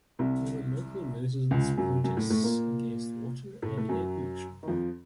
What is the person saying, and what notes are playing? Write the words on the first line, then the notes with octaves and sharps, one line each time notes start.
There were local residents' protests against water and air pollution.
C2 C3
C#2 C#3
F#2 F#3
F#2 F#3
A2 A3
A2 A3
A#2 A#3
A2 A3
A3
F#2 F#3
D#3
F2 F3